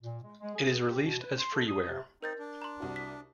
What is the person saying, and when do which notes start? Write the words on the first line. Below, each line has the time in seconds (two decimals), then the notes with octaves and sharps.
It is released as freeware.
0.02 A#2
0.23 G#3
0.39 G#3
0.55 G#4
0.88 G4
1.02 B2
1.20 B4
1.38 C6
1.53 A4
1.67 D#6
1.87 C3
2.22 C4 D#4 A#4 G6 A6
2.39 D4
2.62 A#5 C6
2.80 C2 F#4
2.96 B6